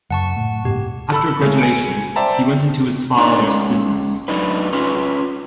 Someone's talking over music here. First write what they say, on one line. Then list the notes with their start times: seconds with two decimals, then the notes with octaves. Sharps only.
After graduation, he went into his father's business.
0.10 F#2 C#3 F#5 A5 C#6
0.36 A2
0.65 D#1 G#2 B2 G4
1.12 A4 B5 E6
1.41 C#3 G#3 A3
1.59 G#5 C#7 D7
2.16 C5 D5 E5 G5 A5 A#5
3.17 D4 D#4 C#5 D#5
3.40 G#3 C#4
4.28 F#3 A3 D4 D#4 B4
4.73 C#4 F4 B4